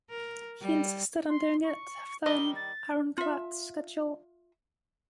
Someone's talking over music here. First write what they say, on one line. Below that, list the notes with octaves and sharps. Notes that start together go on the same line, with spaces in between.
He insisted on doing it after an ironclad schedule.
A#4
G3
C6
C#6
D#3 G3 D#5 G7
A6
F4 E5